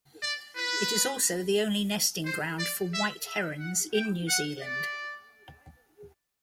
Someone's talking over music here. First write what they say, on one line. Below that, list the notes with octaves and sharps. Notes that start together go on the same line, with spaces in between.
It is also the only nesting ground for white herons in New Zealand.
D5
B4
C5
D5
E5
E5
F#5
G5
F#5
D5